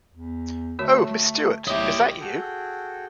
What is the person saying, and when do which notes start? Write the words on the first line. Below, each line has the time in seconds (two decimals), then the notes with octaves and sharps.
Oh, Miss Stewart, is that you?
0.10 E2
0.79 D3 A3 F#4 C#5
1.68 C2 G4 C#5 D#5 E5
2.20 F#4 G#4 A4 G5